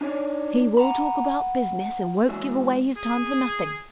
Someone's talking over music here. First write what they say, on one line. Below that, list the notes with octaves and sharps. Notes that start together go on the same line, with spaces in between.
He will talk about business, and won't give away his time for nothing.
D4 D#4 C#5 D5
F#5 A#5 B5
E3 F#3 G#3 E5
G#4